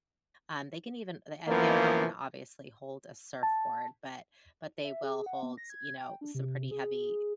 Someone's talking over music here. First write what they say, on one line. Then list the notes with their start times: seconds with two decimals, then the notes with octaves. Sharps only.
Um, they can even le eh, they're not gonna obviously hold a surfboard, but but they will hold s you know, some pretty heavy eh,
1.48 F#2 E3 F3 A#3 B3
3.43 A5
4.84 E5
5.03 G#4
5.26 F#5
5.43 B3
5.57 A#6
5.70 G#6
5.98 G5
6.21 D4
6.35 C3
6.71 G#4